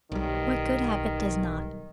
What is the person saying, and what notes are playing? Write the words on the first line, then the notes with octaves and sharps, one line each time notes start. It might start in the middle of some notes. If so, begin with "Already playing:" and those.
What good habit does not?
B1 D#3 G3